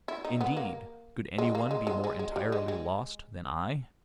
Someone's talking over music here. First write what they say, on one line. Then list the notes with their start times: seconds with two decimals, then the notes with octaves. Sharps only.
Indeed, could anyone be more entirely lost than I?
0.08 E4
0.25 D#4
0.41 B3
0.57 A#3
1.38 G#3
1.55 A#3
1.71 G#3
1.87 G#3
2.04 G#3
2.19 G#3
2.36 G3
2.52 G#3
2.68 G#3